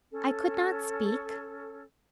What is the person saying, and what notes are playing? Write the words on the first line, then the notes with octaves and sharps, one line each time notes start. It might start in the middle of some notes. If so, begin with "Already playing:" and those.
I could not speak.
C#4 A4